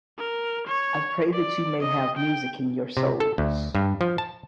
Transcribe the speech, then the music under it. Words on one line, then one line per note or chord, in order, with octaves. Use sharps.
I pray that you may have music in your souls.
A#4
C#5
D5
D#5
G5
C3
A4
D2
G2
F3
A5